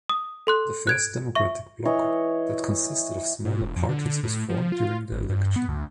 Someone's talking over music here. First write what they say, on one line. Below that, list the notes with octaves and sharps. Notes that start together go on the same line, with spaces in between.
The first democratic bloc that consisted of smaller parties was formed during the election.
D#6
A4 C6 F#6
F#6 G#6 D7
E5 C#6
E3 C#5 D#5
G#2
E1
F2
D3
A2
F3
F4
G#1
G2
B3
D2